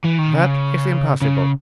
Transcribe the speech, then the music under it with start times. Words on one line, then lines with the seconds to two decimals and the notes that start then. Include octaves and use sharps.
"That is impossible."
0.05 E3
0.19 D#3
0.34 C#3
1.22 C#3